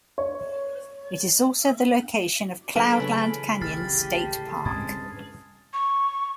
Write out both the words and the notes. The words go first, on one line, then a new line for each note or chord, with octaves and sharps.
It is also the location of Cloudland Canyon State Park.
C#5
D3 F#3 A3 A4 B4 F6 B6 D7
C#3 E3 B5 F#7
D1 A1 G4 F6 A6 C7
A5 C7
G2 G#3 C4 C#4 D#6 G#6 A6
C#6